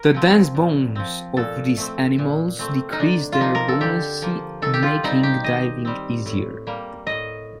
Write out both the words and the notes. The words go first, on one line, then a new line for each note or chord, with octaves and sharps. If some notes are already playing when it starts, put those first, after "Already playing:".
The dense bones of these animals decreased their buoyancy, making diving easier.
Already playing: A#4
F3 C4
A#2
F3 C4
A#2 A4
A3 C4
A#2
A3 C4
D#4
D3 D4
F4
F3 A#3 D#4
A#4
A4
D3 G4
F3 A#3
D#3 A4
G4
F4
G3 C4 D#4
G4
D#3 D#5
G3 C4
A2
G3 A#3
A2 D#5